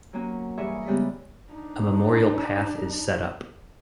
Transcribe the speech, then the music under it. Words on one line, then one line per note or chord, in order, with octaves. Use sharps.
A memorial path is set up.
F#3 A#3 C#4 F#4
G2 E3 G#4 A#4 E5 C#6
C#3 G3 G#3 B3 G4
D4 D#4